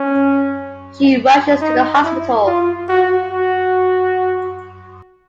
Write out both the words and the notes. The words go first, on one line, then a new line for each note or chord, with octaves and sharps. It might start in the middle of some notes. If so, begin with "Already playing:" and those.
She rushes to the hospital.
Already playing: C#4
D#4
E4
F4
F#4
F#4